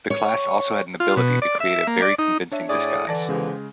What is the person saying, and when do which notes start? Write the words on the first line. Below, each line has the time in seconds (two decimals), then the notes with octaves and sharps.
The class also had an ability to create a very convincing disguise.
0.10 C#5
1.00 F4
1.17 B2
1.42 D5
1.60 E5
1.87 A#3
2.02 D5
2.19 D#4
2.52 D4 C#5 E5
2.69 A2 G#4 D5 D#6
3.07 D3 E3 D5 A5 A#6
3.29 E2 C#3 F3 G#3 G4